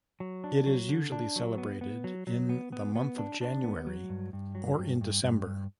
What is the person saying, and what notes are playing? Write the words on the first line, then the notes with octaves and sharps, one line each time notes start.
It is usually celebrated in the month of January or in December.
F#3
D4
F#3
D3
D4
F#3
B3
B3
F#3
F#3
B3
B3
B3
D4
D4
B3
F#3
G2
G2
F#3
G2
G2
G2
G2